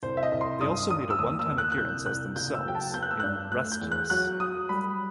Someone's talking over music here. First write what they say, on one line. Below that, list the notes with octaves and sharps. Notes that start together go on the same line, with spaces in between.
They also made a one-time appearance as themselves in "Restless".
C2 C5
E5
D#5
C2
C6
G2 D#6
G2 D#6
E6
D#2 D#6
E6
D#2
F#6
F#6
C2 G6
C2 F#6
F#1 G6
E6
F#3 G5
A5
B3 G6
F#6
E6
G2 F#6
A3 F#6
G6
E2
F#6
F#3 F#6
F#3 D#6
G3 B5